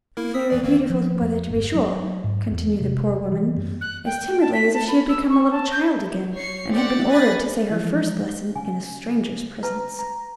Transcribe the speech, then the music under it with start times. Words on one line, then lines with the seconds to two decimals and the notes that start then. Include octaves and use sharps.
"Very beautiful weather to be sure," continued the poor woman, as timidly as if she had become a little child again, and had been ordered to say her first lesson in a stranger's presence.
0.17 A#3 E4 A#4
0.34 D#6 E6 B6
0.50 F2 E3 D5
0.63 D#3 A#3 C4
0.90 F3
1.21 F2
1.50 G1
1.75 F#3
2.24 G#2
2.51 E2
2.80 C3
3.32 E3
3.57 F#2
3.81 F#6
4.06 G5
4.41 A5
4.53 B6
4.74 A5
4.88 B5
5.09 E6
5.29 C#6
5.51 A5
5.71 G6
6.33 C#5 C7 C#7
6.70 C4 G4 D5 F#5 A6
7.10 G#5 B5 F#6 A6 A#6
7.70 E3 F3 G#3
8.56 C#3 G#5
9.63 B4 A5 A#5
9.99 A#5